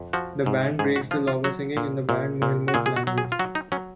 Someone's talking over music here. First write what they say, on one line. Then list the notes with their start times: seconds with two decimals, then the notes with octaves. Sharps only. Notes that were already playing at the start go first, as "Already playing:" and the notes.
The band breaks the law by singing in the banned Mohelmot language.
Already playing: F2
0.13 F3 F#4
0.46 G#2
0.79 G#2 G#4
0.96 F#4
1.11 F3 F4
1.28 F4
1.44 F#3 F#4
1.77 A#2
2.09 A#2
2.42 A#2
2.68 F#4
2.74 A#2 G#4
2.86 G#4
2.96 F#4
3.07 F#3
3.18 G#4
3.32 F4
3.39 F#3 F#4
3.55 D#4
3.72 F#3 C#4